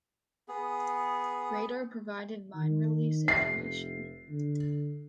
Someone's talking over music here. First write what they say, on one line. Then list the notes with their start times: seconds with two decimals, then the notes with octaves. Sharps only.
Radar provided mine release information.
0.48 B3 G#4
2.55 D#3
3.28 F1 C7
4.30 D3